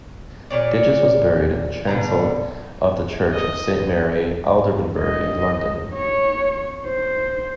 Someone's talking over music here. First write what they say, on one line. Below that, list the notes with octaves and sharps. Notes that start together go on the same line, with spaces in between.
Digges was buried in the chancel of the church of Saint Mary Aldermanbury, London.
A#2 E3 C#5 D5
B2 D3 A#5
D#5
D#5
C#5
C5